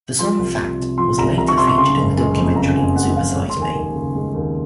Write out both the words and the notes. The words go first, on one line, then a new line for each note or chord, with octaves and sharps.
The song "Fat" was later featured in the documentary "Super Size Me".
F3 C6
C2
C2
C3
F3 C6
C2 A#5
C2 A#5
C#6
C3 C6
C#6
C#3 C6
F#1
G#3
F2
C#3 A#5
F#1 G#5
G#3 F#5
F2 F5
G#3 C#5
C6
D#2
G#5
D#2
C#3
G#3
D#2